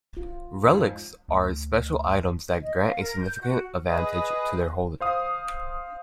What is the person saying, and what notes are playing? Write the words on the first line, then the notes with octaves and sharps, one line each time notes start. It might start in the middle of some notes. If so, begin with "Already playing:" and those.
Relics are special items that grant a significant advantage to their holder.
F4
F2 G#2
D2
D#5
F5
A#4
G6
F#4
G#4 B4 D#5
C5 F5 D#6